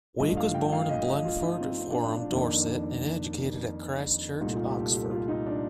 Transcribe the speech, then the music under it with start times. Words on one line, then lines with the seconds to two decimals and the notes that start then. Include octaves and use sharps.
Wake was born in Blandford Forum, Dorset, and educated at Christ Church, Oxford.
0.20 G1 G2 F3 A3 D#5
0.37 F5
0.54 G5
0.72 F5
0.89 D#5
1.07 D#5
1.25 F4
1.42 D#4
1.60 C4
1.78 C4
1.91 D4
2.03 D4
2.17 D4
2.30 F2 D#3 A#3 D4
4.40 C2 A#2 A3 D#4
4.53 F4
4.67 G4
4.80 A4
4.93 G4
5.11 F4
5.28 D#4
5.46 D4